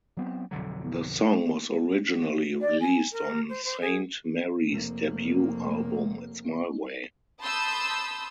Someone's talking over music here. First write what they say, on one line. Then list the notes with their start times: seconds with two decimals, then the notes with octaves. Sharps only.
The song was originally released on Sainte-Marie's debut album It's My Way!
0.17 F#3 B3 C4
0.51 B1 F2 D3 F#3
2.60 D5
2.80 G#5
3.12 A#4
3.48 C5
3.64 C5
3.81 G#4
4.70 F1 A#3
7.42 A5 B5 C6 D#6 E6 G6